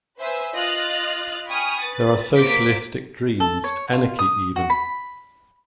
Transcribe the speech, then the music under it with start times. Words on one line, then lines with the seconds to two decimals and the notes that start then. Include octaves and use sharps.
There are socialistic dreams — anarchy even!
0.19 B4 C5 E5 G#5 E6
0.55 F4 D#5 F6 F#6 A6
1.47 G5 G#5 B5 C#6 D#6 F6
1.81 B4 A6
2.35 A#3 B3 C5 D6 B6 D7
3.40 A4
3.64 C#5
3.92 F4
4.19 D#6
4.56 F#4
4.70 B5